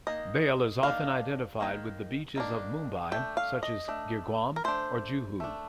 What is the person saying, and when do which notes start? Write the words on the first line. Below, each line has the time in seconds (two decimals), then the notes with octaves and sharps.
Bhel is often identified with the beaches of Mumbai, such as Girguam or Juhu.
0.07 D#3 A#3 D#5
0.83 D#3 A#3 D4 F5
1.60 D#3 A#3
2.36 D#3 A#3 D4
3.12 A3 D4 G5
3.37 F5
3.63 D#5
3.88 A3 D4
4.56 A#4
4.64 A3 D4 C5
5.40 A3 D4